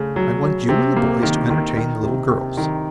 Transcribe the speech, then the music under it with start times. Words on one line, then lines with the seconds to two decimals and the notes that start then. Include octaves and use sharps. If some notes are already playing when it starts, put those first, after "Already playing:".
I want you and the boys to entertain the little girls.
Already playing: C#3 A3
0.16 F#3
0.42 F#3
0.69 C3
0.96 A#3
1.23 D#3
1.50 D#3
1.77 D#3
2.03 C3
2.30 C3
2.57 D#3